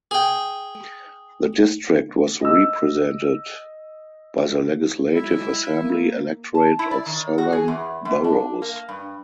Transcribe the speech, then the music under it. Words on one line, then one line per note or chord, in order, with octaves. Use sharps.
The district was represented by the Legislative Assembly electorate of Southern Boroughs.
G#4 G5
D#5 E6
F#3 G#3 E4 E5
A#3
A5
E4
D5
D#3
F#4
G#4
E2
F#2
D4
A#3
G2